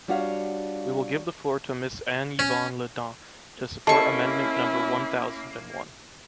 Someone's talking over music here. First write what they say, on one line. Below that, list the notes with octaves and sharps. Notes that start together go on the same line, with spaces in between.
We will give the floor to Mrs Anne-Yvonne Le Dain, to support amendment number one thousand and one.
G3 D4 F4 F#4 C#5 F5
C#4
A#3 C#4 E4 G4 A4 D#5 A5 C#6